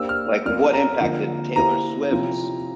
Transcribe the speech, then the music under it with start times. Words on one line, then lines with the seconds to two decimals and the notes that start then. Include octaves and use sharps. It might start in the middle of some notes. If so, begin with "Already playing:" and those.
Like, what impact did Taylor Swift's,
Already playing: A#3 D4 G4 C5 E6
0.09 F6
0.45 F3 C4 F4 A#4 D5 F6
0.73 A#5
1.00 D3 F3 A#3
1.56 A#3 E4 G4 C5 A#5
2.11 C3 F3 C4 E4